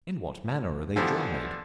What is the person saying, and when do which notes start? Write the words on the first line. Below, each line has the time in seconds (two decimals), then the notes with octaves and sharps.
In what manner are they dried?
0.96 D3 E3 F3 G3 B3 D4